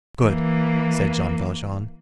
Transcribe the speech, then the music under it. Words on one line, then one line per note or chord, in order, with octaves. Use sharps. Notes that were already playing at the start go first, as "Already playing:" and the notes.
"Good," said Jean Valjean.
E3 A#3